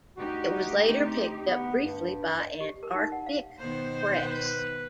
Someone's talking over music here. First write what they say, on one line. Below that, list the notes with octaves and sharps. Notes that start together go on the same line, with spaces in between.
It was later picked up briefly by Antarctic Press.
D2 D#4 F#4 G4
C4
B3
G2
D#5
G4
A#4
D#4
F#5
F5
B2 D#3 B3 C5
B4